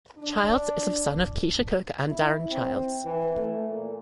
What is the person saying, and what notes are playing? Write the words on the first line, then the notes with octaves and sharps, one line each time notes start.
Childs is the son of Keisha Cook and Daron Childs.
D4
E4
C4
E3
A3
A#2